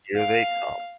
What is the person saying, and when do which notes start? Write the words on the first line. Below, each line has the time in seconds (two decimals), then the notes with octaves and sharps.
Here they come.
0.16 F5